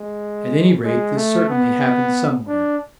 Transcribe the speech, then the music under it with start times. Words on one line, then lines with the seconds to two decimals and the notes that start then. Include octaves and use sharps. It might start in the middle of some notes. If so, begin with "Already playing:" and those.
At any rate this certainly happened somewhere.
Already playing: G#3
0.84 G#3
1.17 A3
1.50 B3
2.47 D4